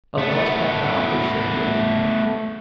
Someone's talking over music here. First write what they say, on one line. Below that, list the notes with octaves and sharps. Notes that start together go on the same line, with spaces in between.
"A lost half-hour?" said the old man.
A3 B3